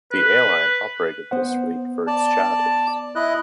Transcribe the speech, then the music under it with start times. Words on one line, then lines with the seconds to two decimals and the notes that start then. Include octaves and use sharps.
The airline operated this fleet for its charters.
0.12 B4
1.31 B3 C5 F#5
2.07 D5 A5
3.15 E4 D#5 F#6